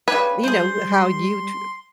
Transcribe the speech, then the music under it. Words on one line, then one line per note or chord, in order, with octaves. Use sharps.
you know, how you tr
C#3 G3 B4 G#5
G3 G#4 C5 C6